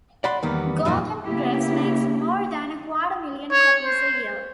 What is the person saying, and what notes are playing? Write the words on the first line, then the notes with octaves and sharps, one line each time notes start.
Golden Press makes more than a quarter million copies a year.
D5 F#5 B5 C6
E2 D#3 G3 A#3 B3
F#2 A#2 F3 D#4 F#4
C#3 A#3 B3 E4 G4
C#5
C5